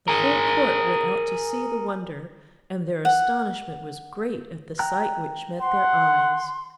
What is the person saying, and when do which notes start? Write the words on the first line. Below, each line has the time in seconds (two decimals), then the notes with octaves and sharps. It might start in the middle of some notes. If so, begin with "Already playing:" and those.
The whole court went out to see the wonder, and their astonishment was great at the sight which met their eyes.
0.08 G#4 A#4
3.05 F#5
4.79 G5 A#5 F#6
5.61 F#5 C6